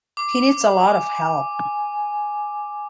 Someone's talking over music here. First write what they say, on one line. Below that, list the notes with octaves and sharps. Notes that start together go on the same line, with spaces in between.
He needs a lot of help.
D6
G#5